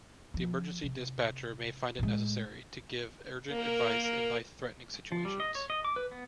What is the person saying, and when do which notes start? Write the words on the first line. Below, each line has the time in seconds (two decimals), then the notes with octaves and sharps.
The emergency dispatcher may find it necessary to give urgent advice in life-threatening situations.
0.34 F3
0.83 C3
1.99 A2 G#3
3.51 A#3 A#4
5.12 F3
5.25 G3
5.40 D#5
5.55 C#5
5.70 D#5
5.85 D6
5.96 B4
6.11 B3